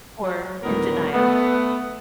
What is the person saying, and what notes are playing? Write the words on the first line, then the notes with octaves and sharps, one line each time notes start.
or in denial?
F#3
D2 A2 D#3 F#3 B3 A#4
A3 B3